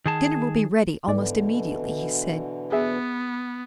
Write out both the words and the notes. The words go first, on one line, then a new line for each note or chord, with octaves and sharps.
"Dinner will be ready almost immediately," he said.
D#3 G#4 A5
G#2 B2 D3 E3 D5
B3 G#4 E5 C#7